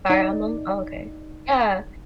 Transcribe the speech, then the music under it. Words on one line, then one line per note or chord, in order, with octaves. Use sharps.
Fire Emblem, oh okay. Yeah,
D#4 D5